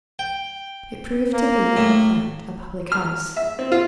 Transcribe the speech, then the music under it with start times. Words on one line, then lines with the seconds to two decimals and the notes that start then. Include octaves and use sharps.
It proved to be, in fact, a public house.
0.19 G5
1.34 A#3
1.77 A2 A3
2.92 F6
3.36 E5
3.59 C4
3.72 F4